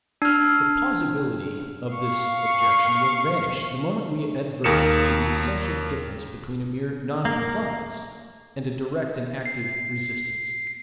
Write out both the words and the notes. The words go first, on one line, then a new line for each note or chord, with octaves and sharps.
The plausibility of this objection will vanish the moment we advert to the essential difference between a mere NON-COMPLIANCE and a DIRECT and ACTIVE RESISTANCE.
D4 F6
F5 C#6
D#2 A#3 A#4 D#6 C#7 E7
A#3
C7